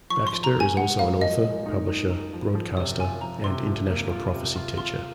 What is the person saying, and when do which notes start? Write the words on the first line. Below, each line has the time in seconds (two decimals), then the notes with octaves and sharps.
Baxter is also an author, publisher, broadcaster and international prophecy teacher.
0.10 F3 C#6
0.27 C6
0.33 F3
0.44 A#5
0.55 A#4
0.60 G#5
0.77 G#3 F#5
0.99 A#4 F5
1.21 F3 D#5
1.44 G#3
1.66 D#4
1.88 D#4
2.11 D#4
2.33 F3
2.55 F3
2.77 C3 C#5
3.00 F4 G#5
3.21 F3 A#5
3.44 C3 C6
3.66 F3
3.89 A#3
4.11 F4
4.33 C3
4.56 F4
4.78 F4 C6